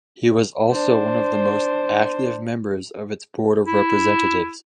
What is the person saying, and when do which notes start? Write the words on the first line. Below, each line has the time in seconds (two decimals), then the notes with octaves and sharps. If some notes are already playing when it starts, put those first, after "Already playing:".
He was also one of the most active members of its board of representatives.
0.72 D4 C5
3.67 E4